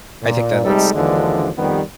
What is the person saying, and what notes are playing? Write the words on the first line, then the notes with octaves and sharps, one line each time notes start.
I think that that's
A#2
C3 G3 G#3 D#4 A4
D#2 D3 E3 F3 G#3 D4
F2 D#3 G3 B3 G4 B4